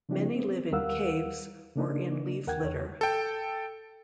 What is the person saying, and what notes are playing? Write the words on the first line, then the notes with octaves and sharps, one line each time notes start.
Many live in caves or in leaf litter.
C#3 F3 C4 D4 E4 G4
B3 C4
D#2 G3 A#4 F5 F#5 E6
C#3 A#3 D4 D#4
D#2 A#4 F#5 G5 G#6
E2 C#5
A4 G5